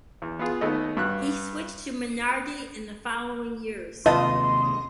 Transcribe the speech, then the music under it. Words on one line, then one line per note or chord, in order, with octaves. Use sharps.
He switched to Minardi in the following years.
E2
B3 F4 G#4
D#2 D#3 A3 B3 D#5
G2 F#4 F#6
D#2 C3 F4 B4 D#5 A5 C6